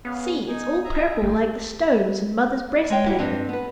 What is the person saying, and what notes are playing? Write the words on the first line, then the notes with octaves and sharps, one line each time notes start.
See, it's all purple, like the stones in mother's breastpin.
B3 C#4 G#4 F5
D#4 G#5
G#4 E5 A#5
G1 A3 G5
G#3 C#5 G5
G#2 G3 E4 F#4 G4
G2 C4 D4
B3 B4